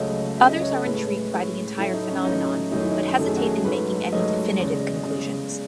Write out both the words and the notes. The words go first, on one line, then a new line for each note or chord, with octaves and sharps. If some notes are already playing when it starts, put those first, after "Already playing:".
Others are intrigued by the entire phenomenon, but hesitate in making any definitive conclusions.
Already playing: C#2 C#3 F#3 A3 D#5
C#2 C#3 F#3 A3 E5
D#5
C#5
A4
A2 G#3 B4
A2 G#3
A2 F#3 A3 E4
D#4
C#4
C#4
A2 F#3 A3 D#4
F#2 D#3 F#3 A3 D#4
E4
D#4
F#2 D#3 F#3 A3 A4
G#4
F#4
G#4
G#2 F#3 A3 B4
G#2 F#3 A3 D#5
E2 C#3 G#3
C#3 G#3